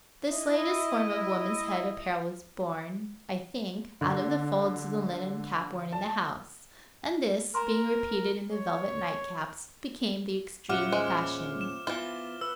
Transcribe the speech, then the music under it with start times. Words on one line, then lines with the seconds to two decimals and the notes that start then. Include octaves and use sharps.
This latest form of woman's head apparel was born, I think, out of the folds of the linen cap worn in the house, and this, being repeated in the velvet night-caps, became the extreme of fashion.
0.29 E4 D#5
4.01 D3
5.92 A5
7.55 A#4 A#5 C6
8.52 C#5
10.69 E2 A#2 C#4 F4 E5 F#5 D6 F6
10.92 G#3 C5
11.61 E7
11.87 E3 B3 F4 G7
12.41 B4 E6